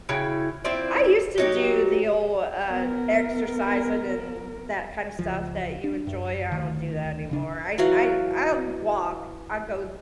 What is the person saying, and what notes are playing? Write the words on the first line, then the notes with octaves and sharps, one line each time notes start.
I used to do the old, uh, exercising and that kinda stuff that you enjoy, I don't do that anymore. I I I'll walk, I go
C#3 E4 F#4 G5
C4 E4 F4 D5
F#3 D#4 G4
B3 A#4
C#2 F3
D4
F#2
D2 D#3
D1 C#3 D4
E3 F#3 F#4 F5